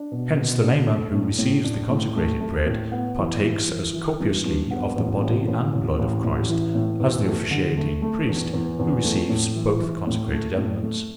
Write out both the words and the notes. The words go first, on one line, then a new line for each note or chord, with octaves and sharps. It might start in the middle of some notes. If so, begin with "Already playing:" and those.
Hence, the layman who receives the consecrated Bread partakes as copiously of the body and blood of Christ as the officiating Priest who receives both consecrated elements.
Already playing: D4
B2
B2
D4
A3
A2
A2
D4
A2
A3
A3
A2
B3
E3
E3
E3
E3
G2
G2
B3
A1
A1
A1
A1
A1
A1
E3
A2
E2
A3
D3
A3
A3
E2
E2
E2
A3
A2
E3
E3
A2
A3
A2
A3